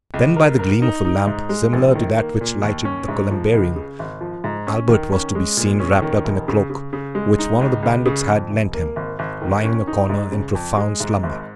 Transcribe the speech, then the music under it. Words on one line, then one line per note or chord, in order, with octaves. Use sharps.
Then, by the gleam of a lamp, similar to that which lighted the columbarium, Albert was to be seen wrapped up in a cloak which one of the bandits had lent him, lying in a corner in profound slumber.
C#2
A#4
A#4
D#4
D#4
G#2
G#3
A#1
D#3
A#3
A#2
D#2
C#4
G#2
F3
C#2
C#3
G#1
F3
G#2
C#4
D#3
C#4
G#3
A#2
C#4
D#3
F1
C#3
C#3
C#3
G#3
D#4
C#2
C#2
C#3
F2
F1
A#3
G#1
G#1
D#3
C#4
D#4
G#2
C#3
F2
G#3
G#2
G#1